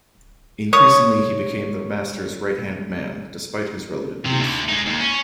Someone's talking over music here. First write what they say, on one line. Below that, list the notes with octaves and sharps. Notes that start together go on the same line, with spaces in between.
Increasingly he became the master's right-hand man, despite his relative youth.
C#5 D#6
C3
D2 D3
G#3 D#4
D#2
C#4